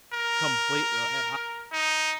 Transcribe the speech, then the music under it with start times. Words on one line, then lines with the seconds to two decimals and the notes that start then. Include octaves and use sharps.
complete li l I
0.13 A#4
1.72 D#4